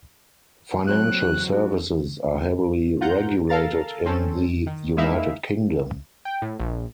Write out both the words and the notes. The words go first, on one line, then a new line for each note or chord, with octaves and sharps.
Financial services are heavily regulated in the United Kingdom.
F#3 C4 F#4 F#6
D4 F#4
F4 F#5 A#5 G6
A4 A#4 F5 A#5 A6
C4 C#4 A4
D#3
G#3 A#3 D#4 E4 E5 F5
G5
A2
A#1